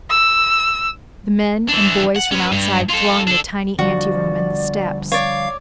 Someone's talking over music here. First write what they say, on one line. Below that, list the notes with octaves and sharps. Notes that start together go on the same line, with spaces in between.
The men and boys from outside thronged the tiny anteroom and the steps.
E6
E3 D4
F#5
C#4 B4
G2
F4 A4
D4 A4
D3 F3 G3 F#4 D5
C#5 D5 F5